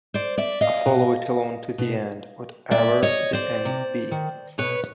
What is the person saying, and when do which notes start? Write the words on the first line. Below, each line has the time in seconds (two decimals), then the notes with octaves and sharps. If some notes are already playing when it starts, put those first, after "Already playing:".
I follow it alone to the end, whatever the end be.
0.14 C5 D5
0.38 D5 E5
0.61 D#5 F5
0.85 B2
1.78 B2
2.71 A#2 D5 E5
3.03 C#5 D#5
3.33 C5 D5
3.65 C3
4.11 D#3
4.58 B2 B4 C#5